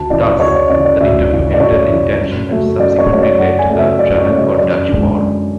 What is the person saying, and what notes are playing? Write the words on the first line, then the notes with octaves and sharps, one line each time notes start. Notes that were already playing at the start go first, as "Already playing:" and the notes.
Thus, the interview ended in tension and subsequently led to the Travancore-Dutch War.
Already playing: D2 A5
C#3 E3 D5
D2 C#5
D5
C#3 E3 D5
D5
D2 E5
C#3 E3
D5
D2 C#5
C#3 E3
F#2
C#3 F#3 A3
F#2 D5
C#5
C#3 F#3 A3 C#5
D5
F#2 F#5
G#5
C#3 F#3 A3
E5
F#2 D5
C#5
C#3 F#3 A3
D5
F#2 D5
D3 G#3
F#2